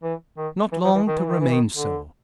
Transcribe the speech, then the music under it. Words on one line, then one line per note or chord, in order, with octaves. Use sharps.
Not long to remain so.
E3
D#3
E3
F3
E3
D#3
E3
D#3
E3
D#3
D3